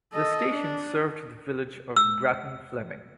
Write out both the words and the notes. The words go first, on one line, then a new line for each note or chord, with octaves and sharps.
The station served the village of Bratton Fleming.
A4 D#5
D4
E6